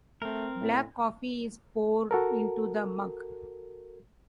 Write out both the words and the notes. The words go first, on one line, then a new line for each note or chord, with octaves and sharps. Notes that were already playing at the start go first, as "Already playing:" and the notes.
Black coffee is poured into the mug.
A3 C4 A#4
A2
F#4 A4 A#4